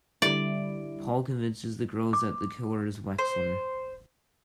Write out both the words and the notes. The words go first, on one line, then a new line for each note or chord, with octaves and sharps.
Paul convinces the girls that the killer is Wexler.
D3 G3 E4 D5
D6
C5